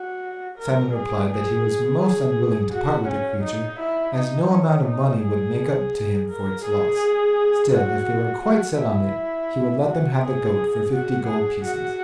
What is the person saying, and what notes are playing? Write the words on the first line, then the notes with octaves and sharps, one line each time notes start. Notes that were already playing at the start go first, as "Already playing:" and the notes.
Simon replied that he was most unwilling to part with the creature, as no amount of money would make up to him for its loss; still, if they were quite set on it, he would let them have the goat for fifty gold pieces.
Already playing: F#4
A#4
G#4
G#4
G#4
F#4
C#4
D#4
E4
D#4
C#4
D#4
G#4
A#4
G#4
F#4
F#4
E4
F#4
G#4
F#4
G#4
F#4